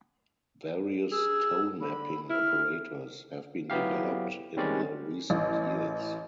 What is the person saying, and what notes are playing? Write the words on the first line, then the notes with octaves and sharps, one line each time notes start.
Various tone mapping operators have been developed in the recent years.
G#4 E6
D3 B5
E4 F6
F#3 B3 E4 G4 F5
D#3 G3 G#3 C4 C#4 D5
A1